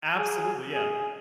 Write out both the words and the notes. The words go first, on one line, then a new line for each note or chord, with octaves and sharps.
Absolutely, yeah.
G#4
G#4